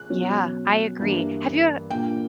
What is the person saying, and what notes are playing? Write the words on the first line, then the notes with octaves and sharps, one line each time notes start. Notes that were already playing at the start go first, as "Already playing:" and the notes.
Yeah, I agree. Have you ev
Already playing: F#6
B2 F#3 C#4
G2 E3 A#3 D4
A#2 A#3 D4 G5